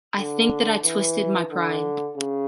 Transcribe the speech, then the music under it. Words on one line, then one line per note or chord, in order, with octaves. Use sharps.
I think that I twisted my pride.
D3
E3
D3
C#3